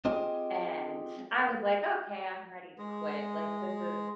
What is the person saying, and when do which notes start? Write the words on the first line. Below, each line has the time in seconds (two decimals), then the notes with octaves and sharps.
And I was like, "Okay, I'm ready to quit. Like this is
0.05 C4 F4 G4 G#4 D#5
2.78 G#3